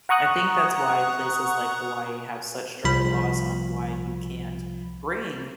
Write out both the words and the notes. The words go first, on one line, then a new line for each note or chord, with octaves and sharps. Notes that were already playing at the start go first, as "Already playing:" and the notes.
I think that's why places like Hawaii have such strict laws on why you can't bring
F#5 A#5 C#6 D#6 F#6
C2 F3 B5